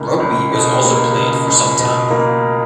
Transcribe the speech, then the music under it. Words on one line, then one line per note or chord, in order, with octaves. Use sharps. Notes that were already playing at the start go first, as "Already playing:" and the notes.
Rugby was also played for some time.
Already playing: C#2 A#3
C#2
B2
A#3
C#2
C#2
B2
A#3